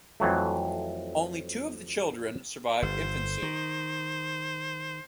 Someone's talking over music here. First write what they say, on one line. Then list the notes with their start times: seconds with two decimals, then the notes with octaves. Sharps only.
Only two of the children survived infancy.
0.20 F2 E3 F#3 A3
2.82 G1 C5
3.42 D#3